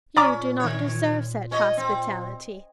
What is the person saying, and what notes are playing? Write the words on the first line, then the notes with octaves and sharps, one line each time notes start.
You do not deserve such hospitality.
A#2 C#4 D5 A#5 D6
D#3 C#5
C#4 C#5 D#5
C4